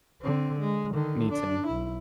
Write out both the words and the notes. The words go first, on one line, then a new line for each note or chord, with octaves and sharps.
me too.
D3 C4
G#3
D3 D#3
D4
B1 E4